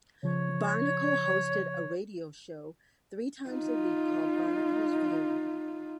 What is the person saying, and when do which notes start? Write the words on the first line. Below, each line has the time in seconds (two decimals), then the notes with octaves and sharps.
Barnicle hosted a radio show three times a week called "Barnicle's View".
0.23 C#3 F3 C#5
3.49 D#4 F4